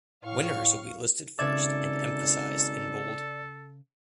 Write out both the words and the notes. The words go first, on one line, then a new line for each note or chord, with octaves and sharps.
Winners will be listed first and emphasized in bold.
A2 F5 C#6 F6
G#1 C#3 A4 D5 E5 G#6